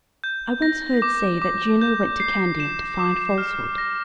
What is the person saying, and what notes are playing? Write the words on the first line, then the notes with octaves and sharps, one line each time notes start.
I once heard say that Juno went to Candia to find Falsehood.
G6
A#6
D6
D6
G6
C7
E7
D6
F6
A#6